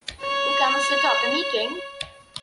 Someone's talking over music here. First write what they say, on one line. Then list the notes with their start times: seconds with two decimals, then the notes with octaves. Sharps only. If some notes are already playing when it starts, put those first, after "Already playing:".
We can set up a meeting?
0.21 C#5